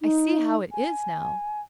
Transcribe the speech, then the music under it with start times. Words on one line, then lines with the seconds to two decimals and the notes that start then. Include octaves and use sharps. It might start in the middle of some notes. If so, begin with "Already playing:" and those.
I see how it is now.
0.01 D#4
0.72 G#5